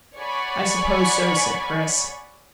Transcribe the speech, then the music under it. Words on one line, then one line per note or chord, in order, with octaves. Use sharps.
"I suppose so," said Chris.
C#5 D5 F#5 G#5 B5 C#6